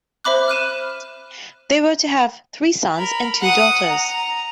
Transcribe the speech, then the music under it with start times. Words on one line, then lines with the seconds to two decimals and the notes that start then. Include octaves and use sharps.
They were to have three sons and two daughters.
0.24 C5 E5 B5 D6 F#6
0.48 F6 F#6 D#7 E7
2.97 A#4 B5
3.41 F#5 D#6
3.89 A#5